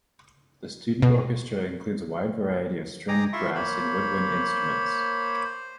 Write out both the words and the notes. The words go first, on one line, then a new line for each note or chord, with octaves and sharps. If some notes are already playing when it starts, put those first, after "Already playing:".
The student orchestra includes a wide variety of string, brass, and woodwind instruments.
B2
G#4 D#5 G5 A#5 D6 D#6
E4 F4 E5 C6 C#6
A#3 C5 C#5 B5
C5